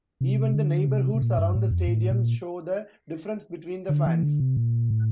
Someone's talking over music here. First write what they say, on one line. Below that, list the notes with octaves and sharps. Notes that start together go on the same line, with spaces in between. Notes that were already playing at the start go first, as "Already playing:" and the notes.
Even the neighborhoods around the stadiums show the difference between the fans.
C3
D3
C3
C3
A#2
G2
A2
F2
A2
A#2
D3
E3
D3
C3
A#2
A2